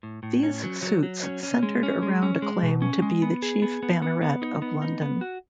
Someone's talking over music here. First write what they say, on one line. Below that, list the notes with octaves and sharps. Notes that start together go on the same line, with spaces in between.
These suits centred around a claim to be the chief banneret of London.
A2
A2
C#4
F#3
F#3
F#3
C#4
C#4
G#3
C#4
G#3
C#4
G#3
B2
C#4
G#3
B3
G#4
B3
B3
B3
B3
D#4
B3
D#4
B3
F#4